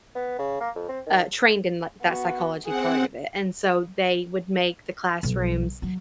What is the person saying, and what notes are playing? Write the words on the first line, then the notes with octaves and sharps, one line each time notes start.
uh, trained in, like, that psychology part of it and so they would make the classrooms,
B3
C#3
A#3
F2
C4
D#3
B3 F#4
C4 G#4 F#5
B1
F#3